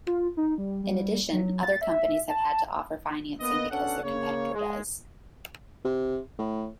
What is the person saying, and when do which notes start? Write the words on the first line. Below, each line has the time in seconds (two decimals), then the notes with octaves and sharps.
In addition, other companies have had to offer financing because their competitor does.
0.07 F4
0.37 D#4
0.58 G3
0.84 G3
1.33 F#3
1.63 A6
1.81 E5
2.29 A5
3.40 A#3 B3 D#5
3.70 B2 C#4 D4 A4 F#5
4.03 C#3 A#3 C#5
4.54 G#3
5.85 C3
6.38 A2